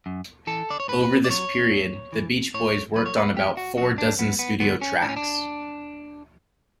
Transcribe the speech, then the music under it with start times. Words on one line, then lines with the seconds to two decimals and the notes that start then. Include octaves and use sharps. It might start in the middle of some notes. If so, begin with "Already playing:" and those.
Over this period, the Beach Boys worked on about four dozen studio tracks.
0.06 F#2
0.47 E3 A4
0.70 D5
0.80 C#5
0.88 A2 B4
1.24 D5
1.30 F#3 C#5
1.71 G2
2.13 E3
2.54 A2 C#5
2.96 F#3 B4
3.06 C#5
3.17 B4
3.36 E2 G4
3.57 F#4
3.77 B2 F#3 F#4
3.98 D4
4.19 F#2 B3
4.39 B3
4.60 D3 F#3 B3
4.81 C#4
5.02 A2 D4
5.09 C#4
5.17 D4